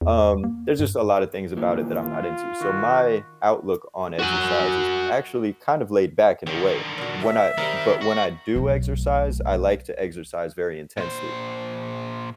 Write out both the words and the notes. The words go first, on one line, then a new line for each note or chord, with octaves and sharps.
Um, there's just a lot of things about it that I'm not into. So, my outlook on exercise is actually kind of laid back in a way. When I but when I do exercise, I like to exercise very intensely. B
E2
A#3
G2
D#2 A#2 E3
F4
D#3 F#4
F#4 G#5
D3 D#3 G5
A#2 F#4
E5
D#3 G3 C4 A#4
F#4
B1 A3
A#2 C5